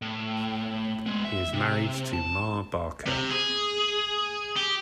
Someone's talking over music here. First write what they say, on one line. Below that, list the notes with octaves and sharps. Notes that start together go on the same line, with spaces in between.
He is married to Ma Barker.
A2
G#3 B3
E5
C3
A5
C3
G#4
G4